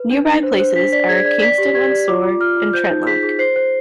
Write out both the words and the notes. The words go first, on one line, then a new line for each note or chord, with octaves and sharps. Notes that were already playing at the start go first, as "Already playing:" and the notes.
Nearby places are Kingston on Soar and Trentlock.
Already playing: B4
D4
D4
C5
C5
D4 B6
D5 B6
G#4 G#6
D5 G#6
D5 B6
G4
G4 G#6
D5
F4 D6
F4
F4 F6
F4
C5 G6
D#4
G#4 B6
G#4
C5 C7
C5